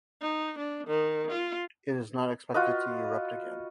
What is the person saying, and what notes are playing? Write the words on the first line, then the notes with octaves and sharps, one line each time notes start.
It is not expected to erupt again.
D#4
D4
D#3
F4
F4 F#4 B4 D#5